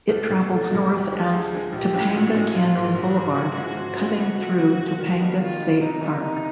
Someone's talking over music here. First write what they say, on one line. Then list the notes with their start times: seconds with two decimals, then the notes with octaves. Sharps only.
It travels north as Topanga Canyon Boulevard, cutting through Topanga State Park.
0.09 C2 A4
0.29 B2 F#3 A3 D4
0.51 C2 A4
0.70 B2 F#3 A3 D4
0.91 D2 G4
1.11 D3 F3 G#3
1.32 D2 G#4
1.52 D3 F3 G#3
1.73 A#1 G4
1.94 A2 F3 G#3 C#4
2.13 A#1 F#4
2.34 A2 F3 G#3 C#4
2.54 A#1 F4
2.75 G#2 F3 A#3
2.95 A#1 F#4
3.16 G#2 F3 A#3
3.36 G#2
3.57 F3 G#3 C#4 E4
3.77 G#2
3.97 F3 G#3 C#4 E4
4.17 C#3 F#4
4.38 F3 A3
4.59 C#3
4.78 F3 A3
4.99 D#3
5.20 G3 B3 D#4
5.40 D#3 F4
5.60 G3 B3 D#4
5.81 C3 D#4
6.01 E3 G3 A#3 D4
6.21 C3 D#4